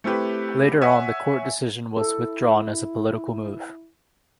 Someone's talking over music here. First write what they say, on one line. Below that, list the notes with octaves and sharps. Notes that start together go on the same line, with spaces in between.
Later on the court decision was withdrawn as a political move.
A3 C4 E4 G4 B4
C#5 E5 F#5 G#5
E4 A4